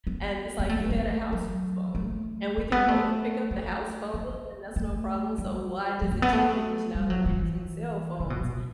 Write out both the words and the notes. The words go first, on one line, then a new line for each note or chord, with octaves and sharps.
and it's, like, you had a house phone, and we can both pick up the house phone, and that's no problem, so, why does it change now that we're using cell phones?
B3
B3
A3
A3
A3
F#3
A3
A3
B3
A3
A3
B3
A3
G3
F#3
A3
B3
A3
G3
F#3
E3
C#3
B2
B2